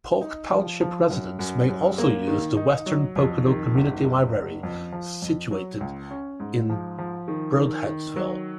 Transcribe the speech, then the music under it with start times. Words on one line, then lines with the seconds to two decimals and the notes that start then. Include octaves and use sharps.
Polk Township residents may also use the Western Pocono Community Library situated in Brodheadsville.
0.21 D#4
0.51 F3
0.81 F3
1.10 F#2
1.39 F#2
1.69 F#2
1.98 A#3
2.28 D#3
2.57 D#4
2.86 F#3
3.16 F2
3.45 D#3
3.75 F#1
4.04 F#1
4.34 F#1
4.63 F2
4.92 F3
5.22 F2
5.51 F#3
5.81 C#2
6.10 C#4
6.40 G#2
6.69 F3
6.98 F3
7.28 D#3
7.57 D#3
7.86 D#3
8.16 F#3